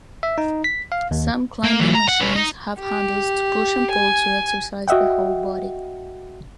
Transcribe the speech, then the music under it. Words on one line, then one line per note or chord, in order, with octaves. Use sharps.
Some climbing machines have handles to push and pull to exercise the whole body.
E5
D#4
B6
F5
D#2
A#3
E3 F#3
A#5
F#5
C#4 B4
D#4 D#5
G4
G#5
F#4 D#5 E5 F#5 G5